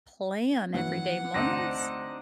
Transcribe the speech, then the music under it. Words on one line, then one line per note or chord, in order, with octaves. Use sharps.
plan everyday moments,
E3 F#3 F#5
D2 C4 D4 D#4 A#6